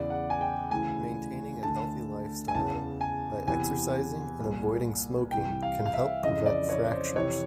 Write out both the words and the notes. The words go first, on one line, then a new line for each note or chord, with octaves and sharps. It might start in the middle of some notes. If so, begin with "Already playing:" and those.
Maintaining a healthy lifestyle by exercising and avoiding smoking can help prevent fractures.
Already playing: E2 C#3 E3 D5
F#5
G#5
G5
D2 C#3 E3 G#5
D2 D3 A5
G#5
E2 C#3 E3 A5
G#5
E2 C3 E3 G#5
C2 A#2
C2 C3 E3 G5
F5
F5
E5
F2 C#3 E3 D#5
D5
C#5
C5
F2 C3 E3 C#5